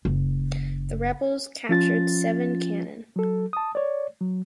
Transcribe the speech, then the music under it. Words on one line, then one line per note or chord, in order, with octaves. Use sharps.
The rebels captured seven cannon.
F#1
F3 C#4 F4 A6
F#3 A4
A5 D#6
C#5 D5
F#3